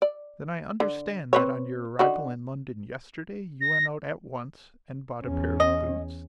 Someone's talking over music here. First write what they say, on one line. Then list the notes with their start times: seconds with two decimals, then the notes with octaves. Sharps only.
"Then I understand that on your arrival in London yesterday you went out at once and bought a pair of boots?"
0.02 D5
0.80 D3
1.33 C4 B4 C#5
1.99 D3 D#4 F#4
3.61 A#6
5.24 E2 C#4
5.60 D#5